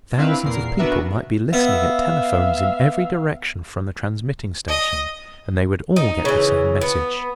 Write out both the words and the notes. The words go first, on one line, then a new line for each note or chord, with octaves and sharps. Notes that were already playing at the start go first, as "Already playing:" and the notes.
Thousands of people might be listening at telephones in every direction from the transmitting-station, and they would all get the same message.
C4 D4 E4 B4 F5
E2 A#2 A#4 C7
B3 D4 F#4 A#4 B4 E5
B3 E5 F5
D#5
D#4
C#3 E3
B3